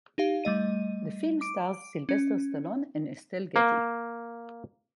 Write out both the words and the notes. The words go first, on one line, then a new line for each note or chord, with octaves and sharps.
The film stars Sylvester Stallone and Estelle Getty.
D#4 G4 F5
G3 A3 D#5 D#7
D6 D7
C#4
A#3